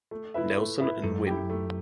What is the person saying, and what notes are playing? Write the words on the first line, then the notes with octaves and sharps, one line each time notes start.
Nelson and Wm.
A3
E4 B4 E5
A3
E4 B4 E5
F#2 A3
E4 G4
A3